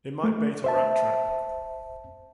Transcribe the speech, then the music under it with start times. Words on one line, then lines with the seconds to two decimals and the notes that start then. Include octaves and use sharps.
It might bait a rat-trap.
0.24 A3
0.64 C5 E5 A5